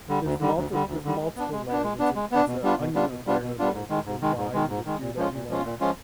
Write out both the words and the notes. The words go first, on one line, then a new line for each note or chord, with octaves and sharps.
there's multi there's multiple layers, it's an it's an onion of variables of the why you would do that and why not
D3 G3
D2
D3 G3
D2
D3 G3
D2
D3 G3
G#3
B3 D4
G#3
B3 D4
G#3
B3 D4
G#3
B3 D4
B2
G3 B3 D4 F4
B2
G3 B3 D4 F4
B2
G3 B3 D4 F4
B2
G3 B3 D4 F4
G#2
D#3 G#3
G#2
D#3 G#3
G#2
D#3 G#3
G#2
D#3 G#3
A#2
F3 G#3 C#4 F4
A#2
F3 G#3 C#4 F4
A#2
F3 G#3 C#4 F4